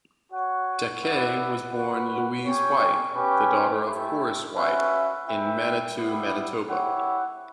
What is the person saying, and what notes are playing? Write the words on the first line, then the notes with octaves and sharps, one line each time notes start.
Dacquay was born Louise White, the daughter of Horace White, in Manitou, Manitoba.
F#4 C#5 F#5
E4 B4 D5 F#5
F#4 B4 F#5
C#4 G4 C#5 G5
C#4 G4 B4
A3 E4 G4
C#4 F#4 B4 E5
E4 B4 E5 G5
G3 B3 E4
E4 G4 C#5 F#5